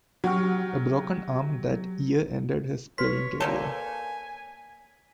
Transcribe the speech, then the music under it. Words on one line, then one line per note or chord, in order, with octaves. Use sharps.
A broken arm that year ended his playing career.
F#3 F#4 G4 F6
B4 C#5 C6 B6
A#3 G4 A4 C#5 D5 G#5